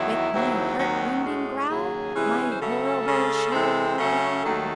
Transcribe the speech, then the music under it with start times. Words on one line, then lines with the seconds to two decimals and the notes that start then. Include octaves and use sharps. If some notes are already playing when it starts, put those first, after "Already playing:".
With my heart-rending growl--my horrible, shudderful growl?
Already playing: E2 D#3 F#3 E4
0.31 D#2 C#3 F#3 C4
0.77 D#2 D#3 F#3 C4 F#4
1.23 A2 G#3 C#4
1.69 D#2 C#3 F#3 G#4
2.15 C3 E3 G#3 C#4
2.50 C5
2.60 C#3 F#3 A3 A4
3.06 C#3 G#3 C#4
3.52 C3 E3 G#3 C4
3.98 C#3 F#3 A3 C#4
4.44 D#2 D#3 F#3 A3 A4